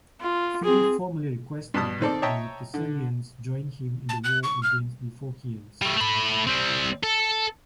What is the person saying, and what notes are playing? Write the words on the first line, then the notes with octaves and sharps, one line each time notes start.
Philip formally requested that the Thessalians join him in the war against the Phocians.
F4
C4 G#4
G2 B2 A5 D#6
D#3 C4 A4 D5
C#5 D#5 E5 G5 A5 A#5
D3
A5
F#6
C#6
F6
G3 A3
A3 B5
G3 C4
A4